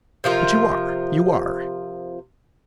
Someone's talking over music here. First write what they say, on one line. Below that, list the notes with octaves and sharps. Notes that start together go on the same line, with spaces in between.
But you are; you are.'
C3 F3 F4 A#4